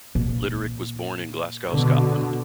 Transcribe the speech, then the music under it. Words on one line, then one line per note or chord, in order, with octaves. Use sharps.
Litterick was born in Glasgow, Scotland.
A#2
B2 D3